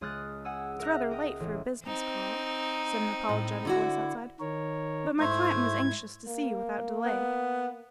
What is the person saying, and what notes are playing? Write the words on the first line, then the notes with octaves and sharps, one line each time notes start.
"It's rather late for a business call," said an apologetic voice outside, "but my client was anxious to see you without delay."
C#2 G#3 D#6 F6 F#6 A6
F#5 G#5 D#6 E6
A#4 E5 F#5 F#6 A#6
A#4 D#5 G5 D#6
A1
C4 D#4
A2
D3 E4 F#4
D#3 A#4 C#5
G#2 A3 E4 C5 G#6
A#3
B3